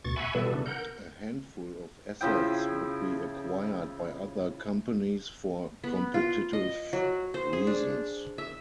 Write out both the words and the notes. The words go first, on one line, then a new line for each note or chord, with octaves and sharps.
A handful of assets would be acquired by other companies for competitive reasons.
D2 B2 C#6 A6
E5 F#5 G#5 B5 C#6
B2 E3 G3 B3 A4
C#3 D4
A#4 F#5 G6
C#3 F3 E4 G5
B3
F4
D#5
F#3
C5
G#4
D4
E5